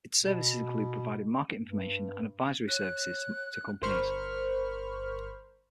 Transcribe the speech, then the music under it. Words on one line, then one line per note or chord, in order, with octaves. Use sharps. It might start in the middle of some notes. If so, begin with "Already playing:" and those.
Its services include providing market information and advisory services to companies.
B2
G2
C#5 F#6
G1 A#4 C5 B5 C#6 F6